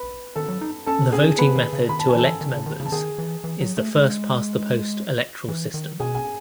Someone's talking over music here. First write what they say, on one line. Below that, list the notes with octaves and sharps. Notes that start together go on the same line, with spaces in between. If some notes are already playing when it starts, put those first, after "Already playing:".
The voting method to elect members is the First Past the Post electoral system.
Already playing: B4 B5
D#3 A4 A5
F#3
D#4
C#4 A4 A5
C#4 G#4 G#5
B3 B4 B5
D#3
C#3
D#3 B5
A5
G#5
E3 A4 A5
D#3
C#3
D#3
C#3
A5
D#3 G#4 G#5
E3
E3
F#3
A3
G#3
E3
D#3
B2 G#4 G#5
G#5